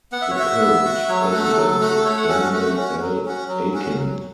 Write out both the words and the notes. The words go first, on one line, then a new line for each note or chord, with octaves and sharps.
The current president is Daniel L. Akin.
B3 F#5
E5
C#5
F#4 E5
B3
F#4
F#3 C#5
A4
A3 F#4
A4
F#3
A3 F#4
A3 C#5
F#5
C#4 F#4 A4
F#4
A3 F#4
C#4 F#4
F#3
C#4 F#4
F#3
C#4 F#4
F#3